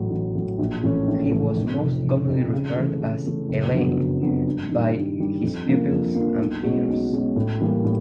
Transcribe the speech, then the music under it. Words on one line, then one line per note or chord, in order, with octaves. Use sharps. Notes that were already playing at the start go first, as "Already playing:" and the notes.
He was most commonly referred to as "Alain" by his pupils and peers.
Already playing: A1 A2 F#3
A1
A2 F#3
A#1
A2 E3 A3 C#4
A#1
A2 E3 A3 C#4
F1
F2 C3
F1
F2 C3
C#3
E3 A3
C#3
E3 A3
F#1
F2 D3 F#3 B3
F#1
F2 D3 F#3 B3
G2
D#3 G3
G2
D#3 G3
F2
D3 F3 A#3
F2
D3 F3 A#3
B1
B2 G#3 C#4 F#4
B1
B2 G#3 C#4 F#4
A2
E3 G3 A#3
A2